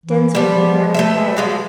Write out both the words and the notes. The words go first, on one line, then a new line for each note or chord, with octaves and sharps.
Denzil grew very pale.
E3
F3 G3 B3
A3 B4 E5
F3 G#3 F#4